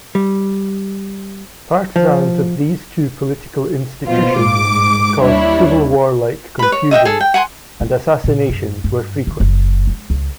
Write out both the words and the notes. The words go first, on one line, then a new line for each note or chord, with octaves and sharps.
Partisans of these two political institutions caused civil war-like confusion, and assassinations were frequent.
G3
F3
A#1 B2 F4 C5
G#2 D6
D#2 G3 D4 E4 C#5
B4 B5
C#5
D#5 E5 F#5 G5
G#4 A4
G5
F#5 G#5 A#5 C6
C4
A#2
F#2
G2
D#3
F#1
G#3
C#2